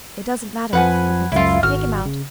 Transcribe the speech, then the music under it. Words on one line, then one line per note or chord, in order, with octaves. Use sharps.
'It doesn't matter!' said the Princess. 'Take him out!'
F2 F3 B4 F#5 G#5
C#2 F#2 E4 F4
G#1 F#4 F6
C#3